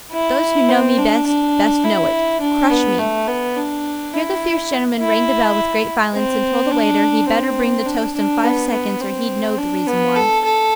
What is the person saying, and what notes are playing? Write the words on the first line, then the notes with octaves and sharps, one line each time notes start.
Those who know me best, best know it; crush me!' Here the fierce gentleman rang the bell with great violence, and told the waiter he'd better bring the toast in five seconds, or he'd know the reason why.
E4
C4
D4
D4
E4
D4
B3
A3
B3
D4
E4
E4
C4
D4
C4
D4
D4
B3
B3
C4
D4
B3
A4
A4